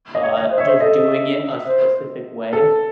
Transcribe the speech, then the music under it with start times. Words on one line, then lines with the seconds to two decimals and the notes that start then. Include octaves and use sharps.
uh, just doing it a specific way.
0.15 D#5
0.22 C#5
0.37 D#5
0.51 C5
0.58 C#5 E5
0.68 C5
0.80 A4 D#5
1.66 C5
2.53 A4